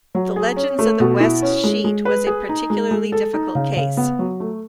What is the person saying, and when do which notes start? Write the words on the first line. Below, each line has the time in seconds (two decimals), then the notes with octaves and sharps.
The Legends of the West sheet was a particularly difficult case.
0.15 F#3
0.36 G#4
0.56 C#4
0.79 A3
1.00 B2
1.20 E4
1.42 C#4
1.64 G#3
1.85 G#3
2.05 B4
2.27 G#4
2.49 D#4
2.70 G#3
2.91 G#3
3.12 A4
3.33 D#4
3.55 C#3
3.77 C#3
3.97 B3
4.19 F#3
4.40 A3